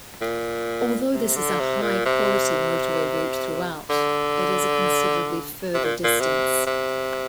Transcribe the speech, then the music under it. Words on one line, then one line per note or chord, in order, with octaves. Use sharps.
Although this is a high-quality motorway route throughout, it is a considerably further distance.
A#2
C3
D3
C3
A#2
C3
D3
C3
A#2
A#2
C3
C3